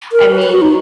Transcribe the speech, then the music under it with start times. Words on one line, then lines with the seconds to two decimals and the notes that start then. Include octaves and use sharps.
I mean,
0.12 A#4
0.32 B4
0.42 B4
0.52 F#4
0.62 D#4